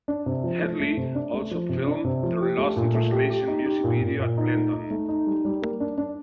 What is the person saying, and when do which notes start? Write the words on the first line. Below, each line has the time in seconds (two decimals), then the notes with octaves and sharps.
Hedley also filmed their Lost in Translation music video at Glendon.
0.08 D4
0.26 C3
0.44 F3
0.62 A3
0.80 A3
0.97 C3
1.15 D4
1.33 A3
1.51 F3
1.69 C3
1.87 D4
2.04 C3
2.23 F3
2.41 G4
2.58 A3
2.76 A#2
2.95 A3
3.11 G4
3.30 G4
3.48 D#4
3.66 G4
3.84 A#2
4.01 A#2
4.19 A#2
4.37 D#4
4.55 A3
4.73 D#4
4.91 A3
5.09 D#4
5.27 G3
5.45 G3
5.62 A#3
5.80 D4
5.98 D4